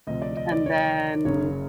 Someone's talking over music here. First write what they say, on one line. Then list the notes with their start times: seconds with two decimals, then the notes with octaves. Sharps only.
and then,
0.07 D2 C3 F3 D#5
0.22 D5
0.37 D#5
0.52 D5
0.66 C#5
1.25 F#1 F#2 C#3 C#5